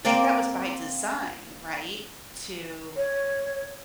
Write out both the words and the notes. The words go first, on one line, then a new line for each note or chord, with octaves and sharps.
think that was by design, right, to
A#3 C4 A#4 D5
C#5